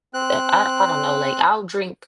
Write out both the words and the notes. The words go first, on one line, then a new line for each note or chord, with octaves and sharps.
uh, I I don't know, like, I'll drink
C4 F#6